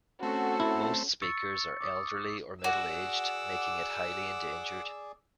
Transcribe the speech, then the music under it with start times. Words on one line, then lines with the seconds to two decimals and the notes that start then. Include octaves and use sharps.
Most speakers are elderly or middle-aged, making it highly endangered.
0.23 A3 C4 C#4 F#4 A4
0.60 E4
1.22 C#6 E6 A6 C#7
1.81 D6 D#6
2.64 F#4 G#4 D5 F#5 D6 E6